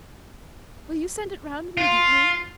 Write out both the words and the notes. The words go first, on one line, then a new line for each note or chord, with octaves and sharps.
"Will you send it round immediately?"
F4